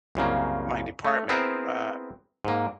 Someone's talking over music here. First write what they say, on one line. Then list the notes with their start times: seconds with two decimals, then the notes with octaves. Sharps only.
my department, uh
0.15 C2 F#2 C#3 A#3
1.05 A3
1.29 B3 C4 E4 G#4 A#4 C5
2.45 G#2 A#3